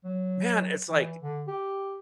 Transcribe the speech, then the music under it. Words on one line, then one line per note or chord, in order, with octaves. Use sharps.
man, it's like
F#3
E3
D3
G4